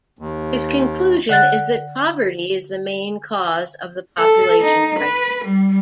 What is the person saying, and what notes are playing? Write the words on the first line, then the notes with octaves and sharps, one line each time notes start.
His conclusion is that poverty is the main cause of the population crisis.
D#2
D3 F#5 F#6 A6
A4
D#4
B4
G3